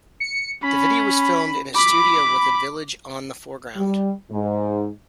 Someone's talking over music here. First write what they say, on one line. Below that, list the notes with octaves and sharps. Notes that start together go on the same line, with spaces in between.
The video was filmed in a studio with a village on the foreground.
C#7
C#4 B5
B5 D6
G3
G#2